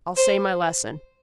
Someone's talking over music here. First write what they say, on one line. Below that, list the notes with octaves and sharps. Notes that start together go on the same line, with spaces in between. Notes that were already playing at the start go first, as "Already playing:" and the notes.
I'll say my lesson.
C5